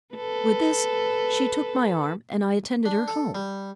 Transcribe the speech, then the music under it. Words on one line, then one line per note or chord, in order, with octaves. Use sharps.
With this, she took my arm, and I attended her home.
A4 B4
D4
A4
G3